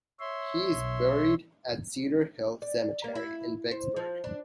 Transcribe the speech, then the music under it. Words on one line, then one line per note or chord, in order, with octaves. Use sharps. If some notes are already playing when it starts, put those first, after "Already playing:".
He is buried at Cedar Hill Cemetery in Vicksburg.
C#5 E5 C6
B1
D5
A#3
E4
C5
F3
D4